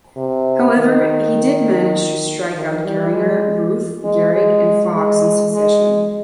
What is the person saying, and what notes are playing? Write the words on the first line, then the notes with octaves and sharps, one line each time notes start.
However, he did manage to strike out Gehringer, Ruth, Gehrig, and Foxx in succession.
C3
D#3
D#3
G3
G#3
G#3
G#3
G#3
G#3